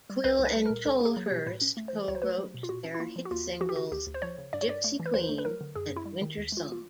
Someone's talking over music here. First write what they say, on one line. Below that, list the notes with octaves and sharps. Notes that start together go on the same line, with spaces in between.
Quill and Tolhurst co-wrote their hit singles "Gypsy Queen" and "Wintersong".
G3
C2 B4
C2
B4
G3
A#2 A#4
C#2 A4
A#3 G#4
F#3
G4
B2
A2 B4
C#4
A3
E3 C5
C#2 C#5
C5
A3 B4
C5
F#3
B2
F4
A#2 F#4
C#4
E4
A#3 F4
F3
F#4
D#2 F4
D#2
F3 F#4
G4
D3 F#4
D2 G4
D2
C5
F3 C#5
C#3
G2 D5
C#5
G2 D5
A3
E3
B4
D#2 C5
A3
B4
F#3 A#4
D3
F#2 G#4
F#2
E4
G3
D#3
D#2
G#3 F4
E3 F4